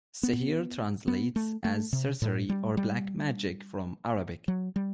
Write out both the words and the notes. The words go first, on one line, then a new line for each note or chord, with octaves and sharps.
Sihir translates as sorcery or black magic from Arabic.
B3
B3
A3
A3
C3
A2
G3
G3
F#3
G3